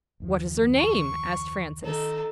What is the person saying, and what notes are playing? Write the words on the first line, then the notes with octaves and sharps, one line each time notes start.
"What is her name?" asked Francis.
F#1 D#2 F3
C#6
D#3 D#4 A4